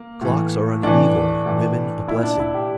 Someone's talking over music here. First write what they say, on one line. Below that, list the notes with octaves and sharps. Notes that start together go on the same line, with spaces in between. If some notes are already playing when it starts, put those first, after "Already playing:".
Clocks are an evil, women a blessing.
Already playing: A#3
A2 E3
A2 E3 D4
A2 E3
A#2 E4
D4
E4
G4